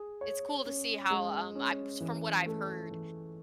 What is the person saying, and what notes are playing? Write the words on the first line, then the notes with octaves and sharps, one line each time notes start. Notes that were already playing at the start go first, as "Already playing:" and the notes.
It's cool to see how, um, I from what I've heard,
Already playing: G#4
C#5
C#4
G#3
C#4
E3
A3
E3